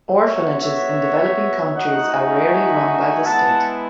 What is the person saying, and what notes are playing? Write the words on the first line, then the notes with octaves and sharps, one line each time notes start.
Orphanages in developing countries are rarely run by the state.
B3 F#4 C#5 E5
C#5 E5
A3 D#4 F#4 D#5 F#5
E5 G#5
G#3 B3 E4 F#5 A5